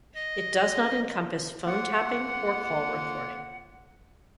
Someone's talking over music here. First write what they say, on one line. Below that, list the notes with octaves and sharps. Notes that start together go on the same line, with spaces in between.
It does not encompass phone tapping or call recording.
D#5
F2 A#3 F4 F#5